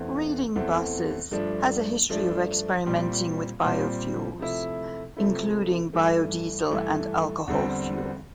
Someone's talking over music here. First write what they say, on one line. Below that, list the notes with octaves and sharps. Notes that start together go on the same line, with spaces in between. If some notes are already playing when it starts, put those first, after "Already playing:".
Reading Buses has a history of experimenting with biofuels, including biodiesel and alcohol fuel.
Already playing: E2 E3 A3 C4
E2 E3 A3 C4
G2 F3 A3 D4
G2 F3 A3 D4
A#2 G3 C4
A#2 G3 C4
C3 F3 A3 E4
C3 F3 A3 E4
G2 E3 A3
G2 E3 A3
E2 D3 G3 C4